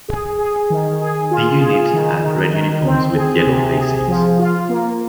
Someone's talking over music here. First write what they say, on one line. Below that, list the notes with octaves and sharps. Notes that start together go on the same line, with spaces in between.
The unit had red uniforms with yellow facings.
G#4
G#4
D#3
G#4
F4
G#4
D#3
D#3
D#3
C4
G#4
C3
G#4
F3
F4
A#3